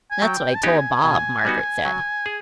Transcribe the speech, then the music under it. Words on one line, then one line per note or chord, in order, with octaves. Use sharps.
"That's what I told Bob," Margaret said.
G#5
F#3 G5
A5
B3 D#4 G4 G#5
B2 G#5
G3 B3 D#4 F#4
F#3
G#4